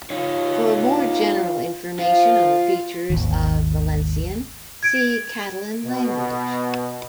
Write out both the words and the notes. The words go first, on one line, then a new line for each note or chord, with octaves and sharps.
For more general information on the features of Valencian, see Catalan language.
D#4 F4 C#5
F3 F4
G#1 D#2
G#6 D7
B2